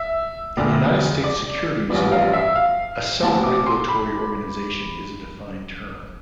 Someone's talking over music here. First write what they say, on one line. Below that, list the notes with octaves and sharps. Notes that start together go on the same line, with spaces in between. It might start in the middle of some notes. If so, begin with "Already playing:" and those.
In United States securities law, a self-regulatory organization is a defined term.
Already playing: E5
E1 E2 D3 A3 D5
D5
A1 G2 F3 B3 D5
F5
E5
F5
A1 A2 E3 A5
D6
C6
B5